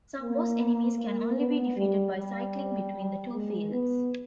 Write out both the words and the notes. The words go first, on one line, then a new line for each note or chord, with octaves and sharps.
Some boss enemies can only be defeated by cycling between the two fields.
A#3
A#3
B3
G3
G3
G#3
B3